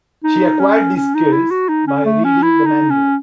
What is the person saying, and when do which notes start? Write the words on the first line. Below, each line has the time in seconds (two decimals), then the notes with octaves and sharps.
She acquired these skills by reading the manual.
0.24 D#4
0.60 C#4
0.97 C#4
1.15 D#4
1.33 E4
1.51 F#4
1.69 D#4
1.87 C#4
2.05 A3
2.25 C#4
2.43 E4
2.66 D#4
2.90 C#4